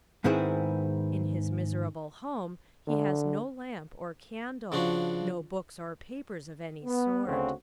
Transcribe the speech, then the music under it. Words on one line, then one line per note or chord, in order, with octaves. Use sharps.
In his miserable home he has no lamp or candle, no books or papers of any sort.
G#2 D#3 B3 C4 E4 G#4
D3
C#3 F3 D4 F#4
B3
D2 C#3 C4 F#4